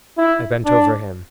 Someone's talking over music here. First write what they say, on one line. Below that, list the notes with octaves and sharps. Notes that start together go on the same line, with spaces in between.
I bent over him.
E4
D4